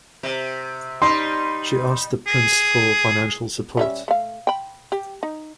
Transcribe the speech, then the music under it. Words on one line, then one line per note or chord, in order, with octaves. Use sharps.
She asked the prince for financial support.
C3
G3 D#4 C6
G#4
G3 C#4 E5
A3 F5
G5 B5
G4
D#4